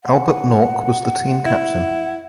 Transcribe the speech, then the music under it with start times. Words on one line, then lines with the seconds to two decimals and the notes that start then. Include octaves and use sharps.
Albert Nork was the team captain.
0.04 F#5
1.46 E4